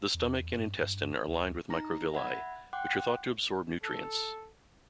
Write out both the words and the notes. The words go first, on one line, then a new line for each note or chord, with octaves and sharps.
The stomach and intestine are lined with microvilli, which are thought to absorb nutrients.
E2
G2
G2
D2
D#4 A#5 A#6
E5 F#5 B5 G#6
F#5 G5 C6 D6 F#6
A4